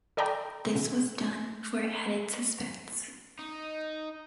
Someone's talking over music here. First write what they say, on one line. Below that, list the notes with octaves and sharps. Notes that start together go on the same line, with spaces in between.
This was done for added suspense.
A4 D5 G5 A5 A#5 D6
D#4